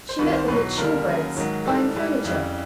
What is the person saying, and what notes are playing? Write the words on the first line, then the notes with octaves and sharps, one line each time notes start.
She met them at Shoolbred's--buying furniture.
C5
C2 C3 D#3 B4
C5
E2 B2 F#3 B4
D#2 D3 G3 A#4
D#2 C#3 F#3
G#2 D#3 F#3
G#2 E3 G3 A4
G#2 E3 G3
F2 C#3 E3 G3